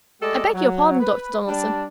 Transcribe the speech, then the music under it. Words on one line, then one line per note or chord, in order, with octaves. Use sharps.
'I beg your pardon, Dr. Donaldson.
G#3 A3 G4 A4 D5 D#5
F#3
B4
G3 D4 A5